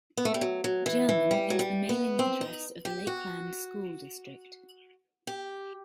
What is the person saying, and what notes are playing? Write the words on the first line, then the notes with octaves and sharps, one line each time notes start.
Jermyn is the mailing address of the Lakeland School District.
B3
A3
G3
F#3
F#3
E3
E3
G3
F#3
G3
B3
C4
D#4
G4
F#4
G4